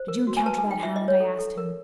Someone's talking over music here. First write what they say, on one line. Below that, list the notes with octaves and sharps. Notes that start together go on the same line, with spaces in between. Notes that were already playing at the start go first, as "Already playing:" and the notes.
'Did you encounter that hound?' I asked him.
Already playing: C5
A#4
F#4
G#5
B4 A5
G#5
D#4
G5
F4 E5
D#5
F4
C#5
A4
A4
A#4